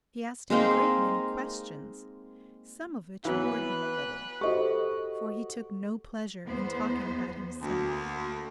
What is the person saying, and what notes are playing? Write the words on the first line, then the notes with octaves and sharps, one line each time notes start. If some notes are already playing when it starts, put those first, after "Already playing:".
She asked him a great many questions, some of which bored him a little; for he took no pleasure in talking about himself.
G#3 A#3 C4 D#4
E3 F#3 B3 B4
F#4 G4 A4 C5 D#5 C#6
E2 B3 C5
D2 A#3